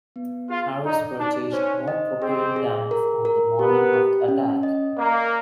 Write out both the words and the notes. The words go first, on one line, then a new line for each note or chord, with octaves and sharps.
Harris purchased more propane tanks on the morning of the attack.
B3
F4 G#4
D#4 D5
D4 D#4
C#4 C5
D#5
C4 G#4
G#4
A#4
A#4
B3 G4
G4
C#4
D#5
A#3 D5